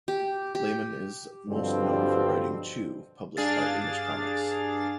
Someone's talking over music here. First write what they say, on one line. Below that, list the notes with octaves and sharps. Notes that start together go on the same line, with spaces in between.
Layman is most known for writing "Chew", published by Image Comics.
G4
G4
G2 B2 D3 F3 G3 C4
G2 D4 G#4 F5 A6